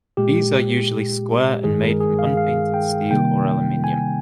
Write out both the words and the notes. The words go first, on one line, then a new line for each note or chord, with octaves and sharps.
These are usually square and made from unpainted steel or aluminium.
A#2 G#3 G4
G2 D#3 G#3 G#4
A#4
G#4
F5
F5
G5
C3 D#3 G3 A#3 G5
G#5